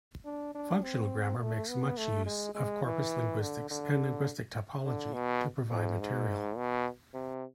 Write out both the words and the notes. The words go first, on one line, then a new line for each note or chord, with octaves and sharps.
Functional grammar makes much use of corpus linguistics and linguistic typology to provide material.
D4
D4
C4
A3
B3
A3
G#3
G#3
E3
D3
D3
D3
B2
F2
G#2
B2
C3